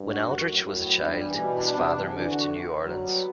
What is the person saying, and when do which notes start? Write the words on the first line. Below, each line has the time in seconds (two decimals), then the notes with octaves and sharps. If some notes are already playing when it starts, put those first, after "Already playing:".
When Aldrich was a child, his father moved to New Orleans.
Already playing: G2
0.10 F#4
0.28 F#2 A2
0.46 A2
0.64 F#2 A2
0.84 B3
1.01 G2 G3
1.20 E3
1.38 B2 G3
1.56 D4
1.75 C3 B3
1.94 E3
2.13 D3 E3
2.31 F#4
2.49 C3
2.68 D2
2.86 F#3 G3
3.04 B3